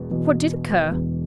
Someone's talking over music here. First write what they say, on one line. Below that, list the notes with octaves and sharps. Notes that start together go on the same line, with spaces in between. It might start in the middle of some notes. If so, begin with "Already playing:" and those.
What did occur?
Already playing: E1 E2 B2
E1 E2 B2
E1 E2 B2